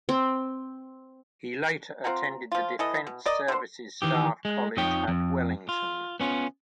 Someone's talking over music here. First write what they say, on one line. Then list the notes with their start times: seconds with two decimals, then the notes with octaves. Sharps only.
He later attended the Defence Services Staff College at Wellington.
0.09 C4
2.04 C4 F4 F#5 A#5
2.52 F3 F4
2.79 E3 A4 D#5
3.07 B2
3.26 A#4 D5 D#5
3.48 D3 C5
4.02 D#3 E3 G4
4.45 G#3
4.77 F2 F3 D#4 C#5 G5
5.08 F2
5.69 F4
6.20 B3 C#4 F4